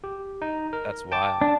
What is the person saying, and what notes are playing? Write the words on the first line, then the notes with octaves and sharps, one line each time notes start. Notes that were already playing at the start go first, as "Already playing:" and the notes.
That's wild.
G4
D#4
A#4
G5 A5 D6
D4